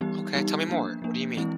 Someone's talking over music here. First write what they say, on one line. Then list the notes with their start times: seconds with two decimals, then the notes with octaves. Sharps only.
Okay, tell me more, what do you mean?
0.01 E3 G3 B3 D#4 G4
0.34 E3 G3 B3 D#4 G4
0.69 F3 A#3 D4
1.02 F3 A#3 D4
1.37 E3 G#3 C4 E4